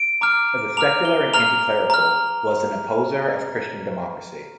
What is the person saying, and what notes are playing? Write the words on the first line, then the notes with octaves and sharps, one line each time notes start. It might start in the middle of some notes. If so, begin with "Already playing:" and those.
As a secular and anti-clerical, was an opposer of Christian Democracy.
Already playing: D7
A#5 D6 F6
A#5 D6 F6 F7
G7
A#5 F6 F7
A#5 F6